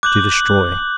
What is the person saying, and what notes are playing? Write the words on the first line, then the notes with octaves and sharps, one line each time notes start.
To destroy.
D6 F#6 G6 F#7